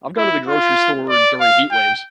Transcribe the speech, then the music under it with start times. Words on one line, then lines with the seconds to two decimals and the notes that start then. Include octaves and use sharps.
I've gone to the grocery store during heat waves.
0.17 E4
0.48 F4
1.09 D5
1.41 F5
1.71 G5